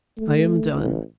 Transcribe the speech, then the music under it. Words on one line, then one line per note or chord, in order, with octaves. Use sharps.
I am done.
A3
A1